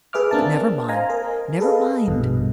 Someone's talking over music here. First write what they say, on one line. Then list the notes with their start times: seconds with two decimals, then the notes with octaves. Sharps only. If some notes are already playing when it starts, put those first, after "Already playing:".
But never mind, never mind!
0.13 G#4 B4 E5 D6 F6
0.31 A#3 C4 D4 A#4 A5
0.88 C5 D#5 F5 G#5 A#5
1.10 A#4
1.60 G#4 A4 B4 D#5 F5
2.08 A#1 G2 B2